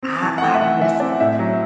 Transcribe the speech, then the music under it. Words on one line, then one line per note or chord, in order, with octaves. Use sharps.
I I this
C4
E3 A5
F#5
A3 G5
E5
E3 F#5
E3 E5
C4 D5
F#5
A2 E5
F#3